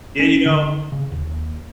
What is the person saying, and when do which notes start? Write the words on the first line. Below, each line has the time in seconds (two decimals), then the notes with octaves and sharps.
Yeah, you know,
0.19 C#4
0.46 D3
0.92 C#3
1.12 D#2